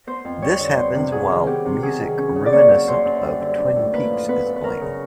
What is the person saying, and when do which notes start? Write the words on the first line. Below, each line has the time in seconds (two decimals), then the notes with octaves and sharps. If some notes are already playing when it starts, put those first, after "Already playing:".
This happens while music reminiscent of "Twin Peaks" is playing.
0.07 B3 C5
0.25 F2
0.42 G3 C#5
0.60 D3
0.77 B3 C5
0.95 C3
1.12 F#3 G#4
1.30 D#3
1.47 B3 G4
1.65 C3
1.82 F#3 G#4
2.01 D#3
2.18 C#4
2.35 C#3
2.46 D5
2.53 A#3 C#5
2.70 F#3
2.88 F#2 C5
3.05 F#2
3.23 G3
3.40 D3
3.58 D4
3.76 A2
3.93 A#3 B4
4.11 F3
4.28 B3 B4
4.45 F#2
4.56 B4
4.64 F#3 A#4
4.81 C#3